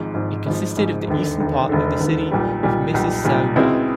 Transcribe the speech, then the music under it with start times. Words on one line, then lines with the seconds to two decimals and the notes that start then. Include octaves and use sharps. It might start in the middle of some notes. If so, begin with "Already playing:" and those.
It consisted of the eastern part of the City of Mississauga.
Already playing: G#1 G#2 F3
0.14 G#1 G#2 F3
0.46 G#1 G#2 F3
0.76 G#1 G#2 F3
1.07 E1 D#2 D3
1.39 E1 D#2 D3
1.69 E1 D#2 D3
2.00 E1 D#2 D3
2.31 B1 A#2 G3
2.63 B1 A#2 G3
2.94 B1 A#2 G3
3.25 B1 A#2 G3
3.55 C#2 B2 G#3 C4 E4